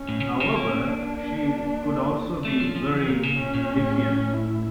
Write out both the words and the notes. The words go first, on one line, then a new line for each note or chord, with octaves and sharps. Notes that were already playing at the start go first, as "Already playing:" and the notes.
However she could also be very defiant.
Already playing: C#4
A2
C#3
A#2
C#3
A#3 C#4
D4
A3 C#4
F3
F3
E3
A#2 A#3
C#3
A#2 C#4
A#2
A2
E4